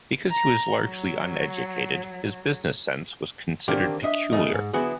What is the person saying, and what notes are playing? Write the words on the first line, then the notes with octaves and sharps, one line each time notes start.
Because he was largely uneducated, his business sense was considered peculiar.
A#5
F#3
D3 D#3 A#3 C4 D4 G4
D4 D#5 E5
E2 B2 D#3 A3 D#5
G#2
D3 F#3 B3 E4 F#4 G#4